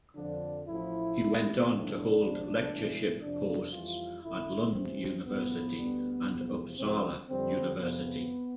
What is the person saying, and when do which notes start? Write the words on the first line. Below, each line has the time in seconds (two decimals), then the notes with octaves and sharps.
He went on to hold lectureship posts at Lund University and Uppsala University.
0.15 F2 D3 F3 D4
0.66 A1 A2 F3 E4
1.17 C2 C3 E3 G3
1.68 B1 A2 F3 D4
2.19 C2 C3 F3
2.70 B1 A2 E3 G3
3.21 F2 C3 F3 D4
3.72 F2 E3 G3 F4
4.22 A1 G2 D3 E4
4.73 G2 E3 G3 C4
5.24 A1 A2 F3 B3
5.76 D2 D3 G3
6.26 E2 C3 F3
6.77 C2 C3 F3 C4
7.28 F2 D3 G3 C4
7.79 F2 C3 F3 B3